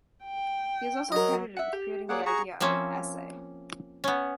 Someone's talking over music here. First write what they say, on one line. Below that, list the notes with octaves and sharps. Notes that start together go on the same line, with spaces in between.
He is also credited with creating the idea of an "essay".
G5
F#3 A#4 D#5
E5 F#5
G4
A#3 G#4 C#5 D5 F#5
F#4 G#4 A#5 C#6
F3 A#3 C4 C#4 E5
B3 C#4